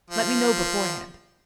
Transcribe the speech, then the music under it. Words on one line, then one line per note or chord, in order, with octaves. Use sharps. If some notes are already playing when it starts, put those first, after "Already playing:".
Let me know beforehand....
F3